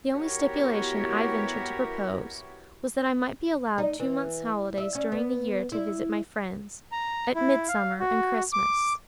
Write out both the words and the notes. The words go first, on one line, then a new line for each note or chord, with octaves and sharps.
The only stipulation I ventured to propose, was that I might be allowed two months' holidays during the year to visit my friends, at Midsummer and Christmas.
B3 E4 F#4 G4 A#4 C#5
D#4
E3
E5
C#4
B3
E4
A#5
E4
F5
F#4
D6